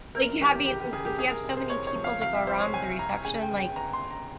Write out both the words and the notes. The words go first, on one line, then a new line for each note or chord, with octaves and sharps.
like you having if you have so many people to go around the reception, like,
F1 A#4
E3 G4
C#3 G4
G4
C#3 G#4
G4
C2 G#4
A#4
C3
C5
C2 C#5
C#5
F3
F5
C3 F5
E5
C2 C5
C#5
C2 G#5
C2 A#5
C#3 G#5
G5
G1
G5
G1 A#5
C6
G1
A#5